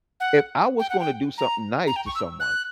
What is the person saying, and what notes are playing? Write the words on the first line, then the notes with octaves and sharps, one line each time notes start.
if I was gonna do something nice to someone
F#5
G5
F#5
G5
A#5
A#5
G5
C#6
E6
F#6